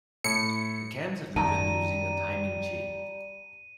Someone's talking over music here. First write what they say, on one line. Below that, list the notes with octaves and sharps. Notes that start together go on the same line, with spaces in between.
The cams are driven using a timing chain.
A2 C#7
F#2 D#3 G3 A5 A#5 D#7